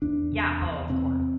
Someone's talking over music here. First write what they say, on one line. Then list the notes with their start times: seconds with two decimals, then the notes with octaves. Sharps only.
Yeah, oh, of cour
0.02 E2 D4
0.32 C3
0.61 E2
0.90 C3 C4